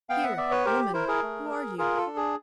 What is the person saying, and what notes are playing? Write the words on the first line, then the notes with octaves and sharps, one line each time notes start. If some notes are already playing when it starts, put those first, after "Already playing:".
Here! woman, who are you?
B3 F5 G5
E5 F#5
B3 D5 E5
B4 C#5
G4 A#4 C5
E4 A#4 C5
G#4 A#4
A3
G#4
F4 G#4 A#4
A4
D4
G#4